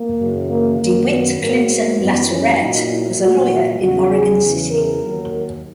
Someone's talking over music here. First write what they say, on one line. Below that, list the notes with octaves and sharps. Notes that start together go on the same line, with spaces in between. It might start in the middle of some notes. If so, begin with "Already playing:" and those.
DeWitt Clinton Latourette was a lawyer in Oregon City.
Already playing: A#3
F#2 C#3 E3
A#3
F#2 D#3 F#3 A#3
B3
G#2 F#3 A#3
A#3
F#2 E3 B3
C#4
A#2 F#3 D#4
E4
A#2 F#3 F#4
E2 C#3 F#3 F#4
G#4
E2 C#3 E3
A#4
D#2 D#3 F#3